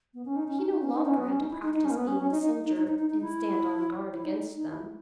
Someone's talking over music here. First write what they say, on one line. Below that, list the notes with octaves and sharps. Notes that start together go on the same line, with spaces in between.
He no longer had to practice being a soldier and stand on guard against them.
B3
C#4
D#4
C#4
D#4
D#4
C#4
D#4
C#4
B3
C#4
D#4
E4
D#4
D#4
C#4
A#3
B3
C#4
C#4
D#4
D#4
D#4
D#4
D#4
D#4
D#4
E4
E4
D#4
D#4
E4